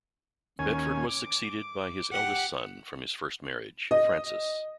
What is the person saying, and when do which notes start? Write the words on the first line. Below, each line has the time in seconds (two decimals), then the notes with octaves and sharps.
Bedford was succeeded by his eldest son from his first marriage, Francis.
0.59 D#2 C#4 G#5
1.09 D6
2.13 G4 F#5
3.91 D#5